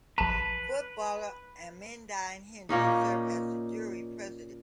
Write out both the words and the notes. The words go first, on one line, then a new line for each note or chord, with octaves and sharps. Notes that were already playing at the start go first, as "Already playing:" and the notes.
Footballer Amandine Henry served as the jury president.
A#1 B4 A5
A#2 A#3 C#4 D#4